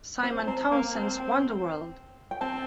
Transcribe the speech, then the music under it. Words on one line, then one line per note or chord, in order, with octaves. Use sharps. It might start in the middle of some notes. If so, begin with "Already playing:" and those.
Simon Townsend's Wonder World!
C4 C5
A5
C4 A#5
A#3 A#5
C4 A5
G5
G5
G5
C4 A5